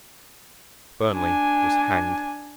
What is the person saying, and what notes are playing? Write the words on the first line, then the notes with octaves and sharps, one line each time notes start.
Fernley was hanged.
D4 G#5